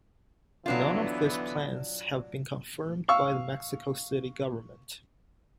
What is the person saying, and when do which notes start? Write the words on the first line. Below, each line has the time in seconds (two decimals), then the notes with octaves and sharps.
None of this plans have been confirmed by the Mexico City government.
0.66 D3 E3 F#3 B3 D4 F4
3.09 F5 C#6 E6